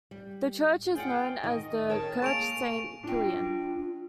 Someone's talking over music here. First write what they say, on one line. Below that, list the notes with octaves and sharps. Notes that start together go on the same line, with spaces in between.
The church is known as the Kirche Saint Kilian.
G3
F4 G#4 D5 F#5 G5
D#3 D#5
C#3 A#4 C#5 D#5 G5 A5
A#3 G#4 C#6 D7 F7
D4 F4 G5